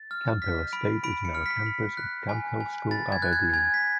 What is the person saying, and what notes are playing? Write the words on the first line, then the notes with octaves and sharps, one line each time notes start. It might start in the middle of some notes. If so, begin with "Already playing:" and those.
Camphill Estate is now a campus of Camphill School Aberdeen.
Already playing: A6
F6
F6 B6
B5 D7
B5 D7
C#7
F6
B6
B5
F#6
G#5
G#5
B5 A6
G#6
F#6
G#6
G#5 G#6
B6